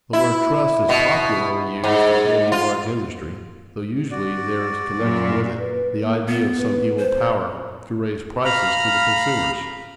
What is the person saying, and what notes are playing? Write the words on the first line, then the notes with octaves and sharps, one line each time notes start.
The word trust is popularly used of any large industry, though usually there is connected with it the idea of some evil power to raise prices to the consumers.
E4
B2
G#2
F4
F#4 D5
F#2 A#2
B4
A#3
B3
B4
C5
F5 A#5 B5 F6